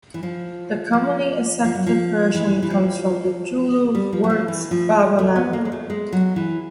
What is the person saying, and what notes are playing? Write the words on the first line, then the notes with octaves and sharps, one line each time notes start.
The commonly accepted version comes from the Zulu words 'baba nango'.
E3
F3
F3
F3
F#3
F3
E3
E3
F3
G3
F3
F#3
F3
E3
F3
G#3
A3
B3
A#3
G#3
A3
G#3
F#3
E3